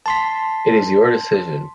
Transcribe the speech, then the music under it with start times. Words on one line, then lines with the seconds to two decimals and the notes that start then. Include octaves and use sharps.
It is your decision.
0.06 A5 C6 B6